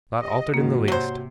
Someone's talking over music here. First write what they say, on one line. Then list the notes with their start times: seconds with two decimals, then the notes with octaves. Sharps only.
Not altered in the least!'
0.22 E2 G4 D#5
0.54 G#2 D#3 A#3 F#4
0.88 C3 F#3 C5